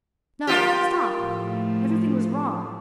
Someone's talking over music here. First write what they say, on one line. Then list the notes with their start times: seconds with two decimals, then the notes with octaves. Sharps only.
No, stop! Everything was wrong.
0.47 A#3 F4 G4
1.21 A2 F3 A3